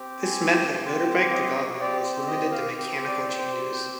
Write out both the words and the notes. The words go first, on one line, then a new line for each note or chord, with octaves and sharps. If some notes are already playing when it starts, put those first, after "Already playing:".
This meant that motorbike development was limited to mechanical changes.
Already playing: C4 G4
G#5
G5
C4 G4 C5
C5
D#5
D#5
C4 G4 D5
C5
D#5
F5
C4 G4
D5
C5
C4 G4